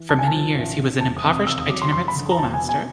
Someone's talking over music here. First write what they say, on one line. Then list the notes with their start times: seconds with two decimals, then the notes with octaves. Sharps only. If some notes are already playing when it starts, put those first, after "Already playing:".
For many years he was an impoverished, itinerant schoolmaster.
Already playing: E3
0.09 C2 A5
0.19 G#5
0.27 A5
0.33 F3
0.55 A1
0.78 D3
1.01 E1 A5
1.17 D#6
1.24 C3
1.31 D#6
1.47 D#2 E6
1.58 D#6
1.69 F#3 D6
1.82 C6
1.92 F#1 C6
2.08 B5
2.16 D3
2.31 A#5
2.38 E1 A5
2.54 G#5
2.62 B2
2.69 G#5